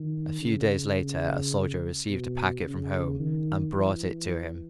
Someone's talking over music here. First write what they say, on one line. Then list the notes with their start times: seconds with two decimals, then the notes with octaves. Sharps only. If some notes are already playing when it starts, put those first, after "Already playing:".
A few days later a soldier received a packet from home and brought it to him.
Already playing: D#3
0.41 C#3
2.08 B2
2.65 C#3
3.19 D#3
3.75 E3